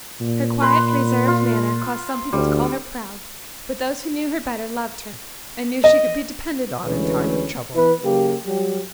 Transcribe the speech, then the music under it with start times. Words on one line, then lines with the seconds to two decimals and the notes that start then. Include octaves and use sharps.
Her quiet reserved manner caused some people to call her proud, but those who knew her better loved her, and knew she could be depended on in time of trouble.
0.21 A#2
0.62 B4 B5 C6
1.28 F4
2.33 D2 G3
5.84 D#5
6.84 D2 E3 G#3 C#4 B4
7.75 E3 B3 E4 B4
8.04 C#3 F#3 A#3 G4
8.45 F#3 G3 G4